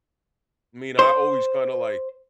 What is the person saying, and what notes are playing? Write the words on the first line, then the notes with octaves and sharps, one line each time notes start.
I mean, I always kinda, like
C5